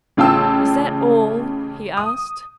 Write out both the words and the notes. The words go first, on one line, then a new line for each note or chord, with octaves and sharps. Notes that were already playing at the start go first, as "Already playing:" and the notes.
"Is that all?" he asked.
A1 C#3 F4 G5 A5 E6
D#6